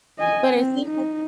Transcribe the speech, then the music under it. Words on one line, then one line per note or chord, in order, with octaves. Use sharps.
But it seems like
D#5 G#5
C4
D#4